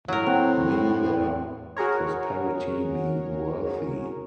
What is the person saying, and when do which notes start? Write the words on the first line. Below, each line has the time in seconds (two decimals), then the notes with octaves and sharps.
May their prosperity be worthy.
0.08 A2 F#3 A#4
0.26 C4 F#5 G5 F#6
1.77 F#4 G#4 A#4 C#5